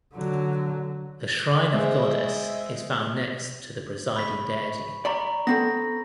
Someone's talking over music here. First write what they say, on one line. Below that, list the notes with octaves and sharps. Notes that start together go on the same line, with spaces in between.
The shrine of goddess is found next to presiding deity.
D3 F#3
G#3 C5 D#5 E5
B5 C#6 B6
D5 A#5 B5 C#6 F#7
B3 C4 A4 A#6